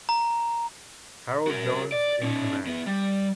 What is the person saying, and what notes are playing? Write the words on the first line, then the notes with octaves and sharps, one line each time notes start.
Harold Jones in command.
A#5
F#4 A#4
D5
C#4 D#4
E2 B3
G3